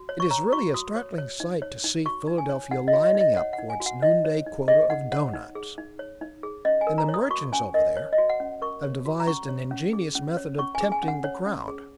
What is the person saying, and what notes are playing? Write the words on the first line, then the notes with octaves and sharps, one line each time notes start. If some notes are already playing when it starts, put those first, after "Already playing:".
It is really a startling sight to see Philadelphia lining up for its noonday quota of doughnuts, and the merchants over there have devised an ingenious method of tempting the crowd.
Already playing: F#4
C#5
C#6
C#5 A#5
F#4 C#6
F#4 D#6
C#5
C#5
D#4
C#5
D#4
F#4 C#6
D#4
G#5
C#5
D#4 F#5
D#5
F#4
D#5
D#4
D#5
C#5 F#5
F#5
D#4
G#5
F#4
F#5
D#4 D#5
C#5
D#4
G#4 D#5
D#4 F#5
C#5 F#5
D#4
G#4
D#4
C#5
D#4
G#4
C#4 D#5
G#5
A#4
A#5
C#5
D#6
F#4 C#6
C#4 G#5
A#4 D#5
C#5
D#5
F#4
F#5
C#4
A#4 C#6
C#5
F#4
A#5
C#4 C#6
C#5
C#4
G#4
C#4
C#5
C#4 C#6
G#5
G#4
G#5
C#4
F#5
C#5
C#4
G#4